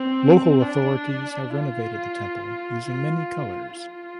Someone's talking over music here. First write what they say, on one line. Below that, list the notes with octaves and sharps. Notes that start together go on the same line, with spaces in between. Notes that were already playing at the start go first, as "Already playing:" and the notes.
Local authorities have renovated the temple using many colours.
Already playing: C4
D4
F4
F4
F4